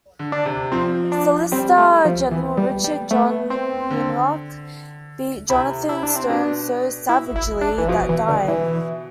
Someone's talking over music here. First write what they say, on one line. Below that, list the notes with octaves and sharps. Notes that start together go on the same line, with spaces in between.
Solicitor General Richard John Uniacke beat Jonathan Sterns so "savagely" that died.
D3
D4
C3
F3 C4
D4
G3 C4
A3
F3
E3 B3
G3
G3
A3 B3
C4
D3
C3 E4
E4
D4
C4
B2 D4
E4
E4
D4
E3
B2 F3
E3
D3
E3